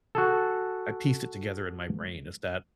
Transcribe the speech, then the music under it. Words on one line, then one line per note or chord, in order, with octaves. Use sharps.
I pieced it together in my brain is that,
F#4 G#4 A4